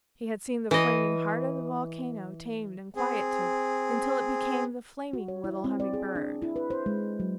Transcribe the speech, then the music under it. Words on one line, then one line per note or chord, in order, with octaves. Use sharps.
He had seen the flaming heart of the volcano tamed and quieted until it became the flaming little Humming-Bird.
E3 D#5
C4 G#4
F#4
C#5
E4
C4
D5
G#4
D4
E4
B4
C5
G#3
F#3